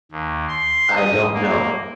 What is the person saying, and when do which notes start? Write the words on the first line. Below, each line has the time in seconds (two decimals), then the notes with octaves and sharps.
I don't know.
0.12 D#2
0.49 C6
0.96 D#6
1.33 A#3